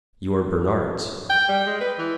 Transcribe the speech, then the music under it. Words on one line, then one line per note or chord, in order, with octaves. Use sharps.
"You are Bernard's."
G5
G3
G#3
B4
E3